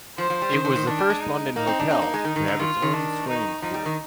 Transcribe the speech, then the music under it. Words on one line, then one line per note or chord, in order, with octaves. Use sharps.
It was the first London hotel to have its own swimming pool.
F3 C5
F3
G3
D#3
D#3
D#3
D#3 D4
G3
G#3
D#4
A#3 D#4
C4
D4
C4 D#4
A#3
G#3
D#3
D#3
D3
D#3 F4
D#3
D4
D#4
F3 D#4
G3
D#3